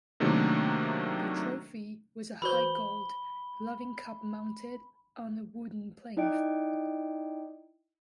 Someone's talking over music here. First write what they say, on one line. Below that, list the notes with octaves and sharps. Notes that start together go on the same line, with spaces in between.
The trophy was a high gold loving cup mounted on a wooden plinth.
C3 D#3 F#3 A3 A#3 D4
E3 F#4 C5 B5 G7
D#4 E4 D5 D#5 G5 D7